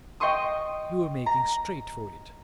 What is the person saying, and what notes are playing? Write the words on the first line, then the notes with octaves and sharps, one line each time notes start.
You were making straight for it.
D#5 G5 C6 C#6 D#6
A#5